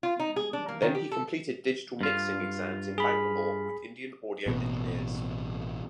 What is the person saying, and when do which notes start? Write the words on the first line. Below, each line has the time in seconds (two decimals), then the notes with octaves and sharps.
Then he completed digital mixing exams in Bangalore with Indian audio engineers.
0.03 F4
0.19 D#4
0.36 G#4
0.53 D4
0.68 A#3
0.82 D#3
0.95 G4
1.11 A4
2.01 G2 F4
2.98 G#4 B5
4.46 A1 B2